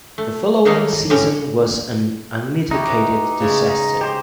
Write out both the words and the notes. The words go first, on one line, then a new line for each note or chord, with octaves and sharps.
The following season was an unmitigated disaster.
A3
D#3 G3 A3 A#3 D#4 C#5
A2 D3 G3 C#4 G5 A#5
D#4 E4 F#4 G4
A2 B4
C#3 G#3 C#4
D#4
G4 C5